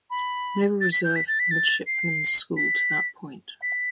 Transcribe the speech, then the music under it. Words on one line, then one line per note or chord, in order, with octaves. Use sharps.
Naval Reserve Midshipmen's School to that point.
B5
A6
B6
G6
B6
A6
B6
A6
C7
B6
B6